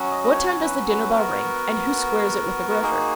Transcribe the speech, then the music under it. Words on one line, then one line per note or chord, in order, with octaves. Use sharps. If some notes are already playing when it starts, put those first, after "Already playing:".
What time does the dinner bell ring and who squares it with the grocer?
Already playing: F#3 C#4 F#4
D#5
D#5
C#5
B4
B4
B3 F#4 A#4
F#4
A#3 D#4 F#4 G#4